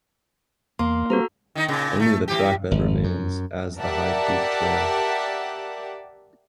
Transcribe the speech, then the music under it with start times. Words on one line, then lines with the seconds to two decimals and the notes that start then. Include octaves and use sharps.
Only the trackbed remains as the High Peak Trail.
0.79 E2 A#3 C6
1.10 G3 B3 C4 F#4 A4 A#5
1.55 D#3 D#4
1.68 A#2 C#3
1.99 A3
2.28 E3 G4
2.71 G#1
3.04 F#2
3.79 G4 A#4 D5 E5 F#5 A5